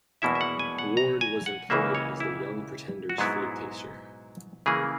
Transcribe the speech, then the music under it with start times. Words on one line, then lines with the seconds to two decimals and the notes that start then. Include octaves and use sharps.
Ward was employed as the Young Pretender's food taster.
0.22 E2 B2 A#3 E4 E5
0.35 E5
0.41 F#5
0.59 G#5
0.78 F#5
0.97 A#5
1.21 G#5
1.46 F#5
1.70 C#2 C#3 E3 A#3 E5
1.95 C#5
2.20 E4
3.09 F#4
3.18 G#2 F#3 B3 E4 G#4
4.66 C#3 E3 A#3 G#4